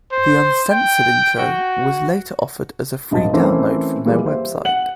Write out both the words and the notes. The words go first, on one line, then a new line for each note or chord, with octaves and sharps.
The uncensored intro was later offered as a free download from their website.
C5
G5
F#4
D#1 G#1 G3 D#5 A5
E3 A3 C4 C#4 A#4 C5
A#2 E3 F3 G3 G#3 A#3
G4 C5 E5
F#5 F#7